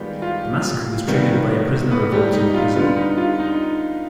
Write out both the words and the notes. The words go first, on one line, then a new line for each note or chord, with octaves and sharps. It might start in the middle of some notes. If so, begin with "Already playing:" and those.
The massacre was triggered by a prisoner revolt in the prison.
Already playing: D#3 G3 G#3 B3 F4 G4
F4
C3 D#3 G3 B3
B3 B4
G3 G4
D#4
F4
D3 G3 B3 F4
D#4
F4
D#4